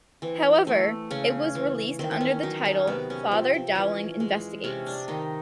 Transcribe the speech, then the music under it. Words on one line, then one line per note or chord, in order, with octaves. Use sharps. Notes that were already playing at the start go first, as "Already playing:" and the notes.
However, it was released under the title "Father Dowling Investigates".
E3 C4
A3
C#3 C#4
E3
D#3 C4
C4
C#4
F#3 D#4
C#4
C3 B3
C#4
F3 C4
C4
E3 C#4
G#3
C3 C#4
D4
D#3 D#4